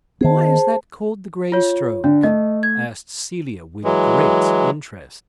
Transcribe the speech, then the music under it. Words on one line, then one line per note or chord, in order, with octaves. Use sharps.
"Why is that called the Grey stroke?" asked Celia with great interest.
D#3 B3 G#4 C5 A5
F4 C#5
D3 D4
A3 D#5
G#6
E3 F#3 G#3